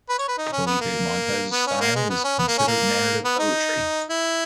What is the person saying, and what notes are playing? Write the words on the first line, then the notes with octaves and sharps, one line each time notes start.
Felipe Montes’ style is considered narrative poetry.
B4
C#5
B4
D#4
C#4
B3
A#3
B3
C#4
A#3
G#3
B3
C#4
B3
A#3
C#4
A#3
B3
D#4
E4